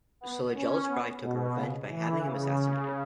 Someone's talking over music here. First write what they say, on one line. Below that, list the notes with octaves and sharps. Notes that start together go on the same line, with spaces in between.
So the jealous bride took her revenge by having him assassinated.
B3
C#4
B3
B2
C#3
E3
C#3